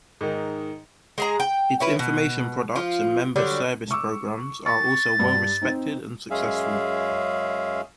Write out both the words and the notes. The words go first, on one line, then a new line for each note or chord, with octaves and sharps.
Its information products and member service programs are also well respected and successful.
G#2 D#3
G#3 G#4 A#5
G5
C#4 E4 B4
B2
F3 F4
D3 F#3 G3 D4
C#6 D6 E6
C#6 A6
G2
C4 D#4
F#2 G#3 C#4 G#4 E5 F5